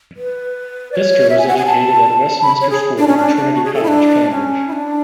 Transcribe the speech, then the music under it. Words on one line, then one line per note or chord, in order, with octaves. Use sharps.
Lister was educated at Westminster School and Trinity College, Cambridge.
B4
D5
C#5
E5
G#5
F#5
G#5
A5
B5
C#5
G#4
D4
C#4
D4
D4
F#4
G#4
A4
E4
D4
C#4
E4
D4